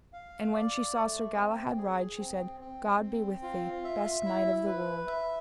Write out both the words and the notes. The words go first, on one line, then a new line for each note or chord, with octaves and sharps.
And when she saw Sir Galahad ride, she said: God be with thee, best knight of the world.
F5
D5
A3
C4
G#4
C4
C4
C4
F4
E5
E4
B4
E5